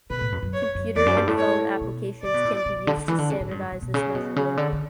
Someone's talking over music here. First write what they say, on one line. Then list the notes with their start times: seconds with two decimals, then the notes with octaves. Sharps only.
Computer and phone applications can be used to standardize this measurement.
0.10 B2 B4
0.21 A2
0.32 F#2
0.42 F#2
0.53 C#5
0.75 F#2
0.96 E2 D5
1.06 F#2
1.17 G2
1.27 A2
1.38 C#5
1.81 B2
2.23 D3 D5
2.34 B2
2.45 A2
2.66 B2
2.76 B2
2.87 D3
2.97 D3
3.08 E3
3.18 D3
3.30 C#3
3.40 A2
3.51 G2
3.72 B2
3.82 B2
3.94 C#3
4.15 B2
4.36 C#3
4.57 D3
4.73 D3